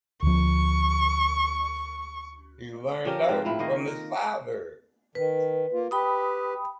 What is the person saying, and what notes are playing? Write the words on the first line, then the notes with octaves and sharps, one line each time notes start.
He learned art from his father.
D2 F3 C#6
F3 C#4 G4 A#4
G#2 C4 F4
A2 E4 F4
D#3 A#3 D#5
A#4
D#3 B4
A#3 F4
G4 B4 G5 B5 D#6